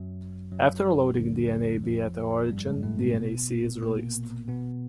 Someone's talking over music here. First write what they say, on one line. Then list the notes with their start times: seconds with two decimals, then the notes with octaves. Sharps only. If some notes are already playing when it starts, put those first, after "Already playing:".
After loading dnaB at the origin, dnaC is released.
Already playing: F#2 F#3
0.52 F#2 F#3
1.18 D2 D3
1.84 F2 F3
2.50 G2 G3
2.67 G#2 G#3
2.83 A2 A3
3.00 C3 C4
3.16 B2 B3
3.82 A#2 A#3
4.48 B2 B3